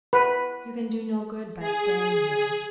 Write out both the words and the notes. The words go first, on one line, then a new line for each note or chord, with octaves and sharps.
You can do no good by staying here.
B4
G#4